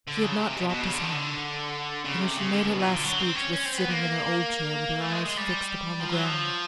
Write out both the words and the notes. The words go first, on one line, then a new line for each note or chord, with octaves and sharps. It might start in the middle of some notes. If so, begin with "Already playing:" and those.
She had not dropped his hand, and as she made her last speech was sitting in her old chair with her eyes fixed upon the ground.
D3
C#3
C3
B2
B2
C#3
D3
D#3
D3
C#3
C3
C#3
D3
B2
A#2
D3
F#3
C4
C#4
C#4
C4
B3
A#3
A3
G#3
G#3
G3
F3
F#3
F3